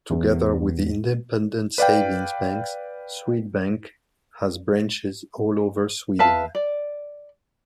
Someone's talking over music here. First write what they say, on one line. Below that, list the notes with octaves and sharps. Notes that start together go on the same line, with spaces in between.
Together with the independent savings banks, Swedbank has branches all over Sweden.
E2
B4 D5 F5 G5
B4 E5 F5 A5
D5